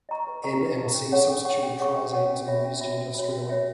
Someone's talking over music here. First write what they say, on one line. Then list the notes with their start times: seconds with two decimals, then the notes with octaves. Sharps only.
N- and C-substituted triazines are used industrially.
0.09 D#5 A#5 C#6
0.27 B4
0.43 D#5 A#5 C#6
0.61 B4
0.77 D#5 A#5 C#6
0.94 C#4
1.12 G#4 C#5 F#5 C#6
1.28 C#4
1.45 G#4 C#5 F#5 C#6
1.63 C#4
1.79 G#4 C#5 F#5 C#6
1.96 C#4
2.13 G#4 C#5 F#5 C#6
2.30 C#4
2.47 F#4 C#5 E5 B5
2.64 C#4
2.81 F#4 C#5 E5 B5
2.97 C#4
3.15 F#4 C#5 E5 B5
3.32 C#4
3.49 F#4 C#5 E5 B5